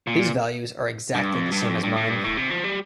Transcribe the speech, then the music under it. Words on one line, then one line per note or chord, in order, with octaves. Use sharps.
His values are exactly the same as mine.
A#2
G2
F2
G2
F2
G2
A2
G2
A2
C3
F3
G3